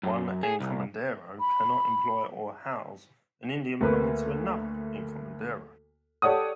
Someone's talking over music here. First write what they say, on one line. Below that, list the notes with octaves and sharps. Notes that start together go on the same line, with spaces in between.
One "encomendero" cannot employ or house an Indian belonging to another "encomendero".
F#2
G#4
C2
B5
D2 A#3 B4
G4 A4 C#5 D5 F#5 D#6